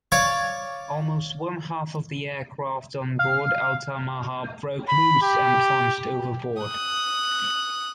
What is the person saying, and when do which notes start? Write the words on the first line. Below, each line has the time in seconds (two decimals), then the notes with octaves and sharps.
Almost one-half of the aircraft on board "Altamaha" broke loose and plunged overboard.
0.12 C#5 D5 F5
3.19 F5
4.89 B5
5.22 G4
6.62 D#6 F#6